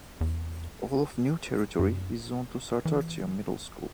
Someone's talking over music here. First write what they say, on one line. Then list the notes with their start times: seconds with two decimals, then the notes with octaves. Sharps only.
All of New Territory is zoned to Sartartia Middle School.
0.21 E2
1.79 F#2
2.85 E3